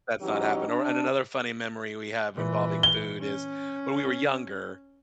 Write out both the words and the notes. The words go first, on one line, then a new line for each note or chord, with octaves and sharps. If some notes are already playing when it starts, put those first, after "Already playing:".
that's not happen or and another funny memory we have involving food is, when we were younger,
E3 F#3 C#4 D#4 G4
D4
A#2 E3
G7
C#4